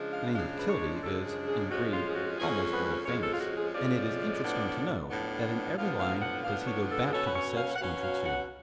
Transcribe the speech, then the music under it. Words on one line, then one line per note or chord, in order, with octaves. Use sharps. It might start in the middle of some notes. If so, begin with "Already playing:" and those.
The name of Kildee is, in the breed, almost world-famous, and it is interesting to note that in every line does he go back to the said Splinter II.
Already playing: C#3 F3 G#3 D4
F5
C#3 F3 G#3 D4 F5
B4
C#5
C#3 F3 G#3 D4 A4
G#4
G#4
F2 F3 G#3 C#4 F#4
F4
G#4
F#4
F2 F3 G#3 C#4 G#4
B4
F2 F3 G#3 C#4 C#5
A4
F4
F#4
G#4
F2 F3 G#3 C#4 D5
A2 F3 B3 D4
A2 F3 B3 D4
A2 F3 B3 D4 F5
F5
F#5
A2 F3 B3 D4 F5
C#5
A4
G#4
B2 F#3 C#4 A4
B4
C#5
F5
F#5
B2 F#3 C#4 F5
F5
F#5